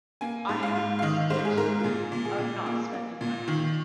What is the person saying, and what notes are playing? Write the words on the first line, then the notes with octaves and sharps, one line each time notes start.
I have this addiction of not spending money.
A#3 G#5
G#2
F5
G#2
F5
D#3 D#5
G#2 C5
G#4
G#2 A#4
F4
A#2 G#4
A#2
G#4
A#2
A#3
A#3
A#2
D#3